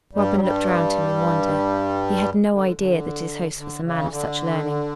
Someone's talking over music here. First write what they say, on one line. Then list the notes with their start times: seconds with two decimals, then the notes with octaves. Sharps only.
Robin looked round him in wonder: he had no idea that his host was a man of such learning.
0.13 G2 G3
0.35 F#3
0.40 G2 G3
2.52 D3
2.77 D3
3.57 D3
3.83 C#3
4.01 E3
4.10 D3